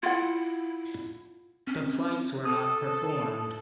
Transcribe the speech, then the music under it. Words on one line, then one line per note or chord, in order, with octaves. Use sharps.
The flights were not performed.
E4 F4 F#5
C4 C#4
A4 D#6